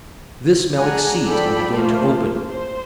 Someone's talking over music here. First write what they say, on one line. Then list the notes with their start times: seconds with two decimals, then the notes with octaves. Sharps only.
This Melick seized and began to open.
0.76 G#3 D4 F#5 G#5 A#5
1.25 F3 A4 D5 G5 B5
1.76 F3 A3 A#3 F4 C5
2.50 C5